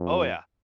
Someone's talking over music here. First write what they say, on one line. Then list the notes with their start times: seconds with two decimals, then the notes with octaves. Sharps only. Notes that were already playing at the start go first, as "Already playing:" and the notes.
Oh yeah,
Already playing: F2